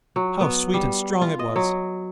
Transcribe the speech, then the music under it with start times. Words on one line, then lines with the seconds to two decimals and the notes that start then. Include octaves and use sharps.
How sweet and strong it was!
0.16 F#3
0.41 B3
0.74 G3
1.22 F4
1.39 D#5
1.56 F#3